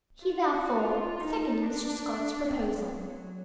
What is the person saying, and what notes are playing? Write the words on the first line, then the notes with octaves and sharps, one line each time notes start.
He therefore seconded Mr. Scott's proposal.'
F4
F#4
F4
D#4
D4
C4
F#3
F#3